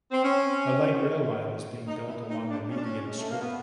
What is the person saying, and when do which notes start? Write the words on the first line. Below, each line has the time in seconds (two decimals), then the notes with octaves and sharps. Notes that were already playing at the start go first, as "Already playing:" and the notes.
A light rail line is being built along the median strip.
0.11 C4
0.23 C#4
1.88 D#4
2.08 E4
2.29 D#4
2.50 D4
2.70 C#4
2.77 D4
2.84 C#4
3.05 G#3
3.17 A3
3.29 A#3
3.41 B3